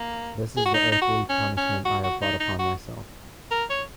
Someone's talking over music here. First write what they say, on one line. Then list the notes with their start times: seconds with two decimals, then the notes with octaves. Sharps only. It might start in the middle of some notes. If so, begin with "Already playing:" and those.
This is the earthly punishment I have brought upon myself.
Already playing: A#3
0.57 G#4
0.65 F#4
0.74 D#4
0.92 D#4
1.01 F#4
1.29 C#4
1.57 C#4
1.85 F#4
2.03 F#4
2.22 D#4
2.40 D#4
2.59 F#4
3.51 A#4
3.70 C#5